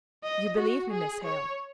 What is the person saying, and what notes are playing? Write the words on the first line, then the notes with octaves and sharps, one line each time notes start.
You believe me, Miss Hale?'
D#5
F#4
G#4
C#5